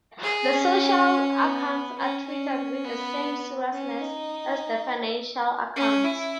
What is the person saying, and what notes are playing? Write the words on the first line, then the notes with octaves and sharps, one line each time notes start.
The social accounts are treated with the same seriousness as the financial accounts.
G#4
C#4
B3
C#4
C#4
B3
C#4
D#4
C#4
E4